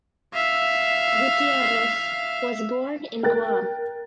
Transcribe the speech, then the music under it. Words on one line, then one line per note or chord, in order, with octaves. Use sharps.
Gutierrez was born in Guam.
E5 F5
A#4 G5 F#6 A6